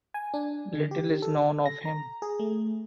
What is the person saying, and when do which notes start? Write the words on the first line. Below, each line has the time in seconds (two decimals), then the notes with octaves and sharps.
Little is known of him.
0.14 G#5
0.34 D4
0.75 D3
0.91 G4
1.22 A4
1.66 A#6
1.85 A#5
2.22 G#4
2.39 A3